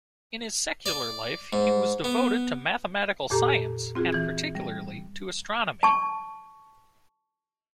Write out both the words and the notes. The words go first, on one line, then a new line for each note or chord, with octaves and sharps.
In his secular life he was devoted to mathematical science, and particularly to astronomy.
D5
G#2
B3
F2 A#2 G4 A4 A#5
C4 F4 F#4 G#4
E3 G#6
G3
A5 C#6